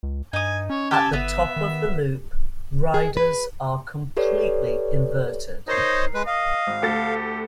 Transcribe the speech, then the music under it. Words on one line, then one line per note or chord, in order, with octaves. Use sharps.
At the top of the loop, riders are completely inverted.
C#2
G2 D#4 G#5 D#6
C#4 C#5
G4 A4 G#5 A5
G1 B3 B4 E5
D#3
G#4
B4
G4 A4 B4 C#5 D5
D#4 A#4 C5 C#5 D#5 C7
G#3 B4
D#5 F5
G#1
D2 G4 A4 A6